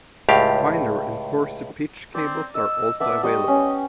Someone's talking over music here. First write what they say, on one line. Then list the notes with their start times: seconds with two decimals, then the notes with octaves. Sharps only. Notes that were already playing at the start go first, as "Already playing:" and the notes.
Finer and coarser pitch cables are also available.
0.29 C#2 A2 G4 F5
2.15 C4 D5 A#5
2.55 D#5 E6
3.00 B3 D5 E5 A5
3.23 G3 D#5 G5 C#6
3.48 C#4